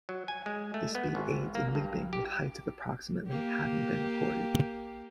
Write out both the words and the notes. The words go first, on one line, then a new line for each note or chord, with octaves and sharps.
This speed aids in leaping, with heights of approximately having been recorded.
F#3
G#5
G#3
A3
B3
G#1
A#3
G2
G4
A#3 G4